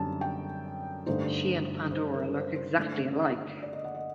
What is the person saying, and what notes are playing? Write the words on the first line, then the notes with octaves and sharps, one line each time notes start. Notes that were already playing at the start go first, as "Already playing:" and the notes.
She and Pandora look exactly alike.
Already playing: F#2 D3 G3 C4 D#4 A5
G5
G2 D3 A3 D#4 C5
C5
A#4
C5
C5
D3 A3 D4
D5
D#5
F#5
D#5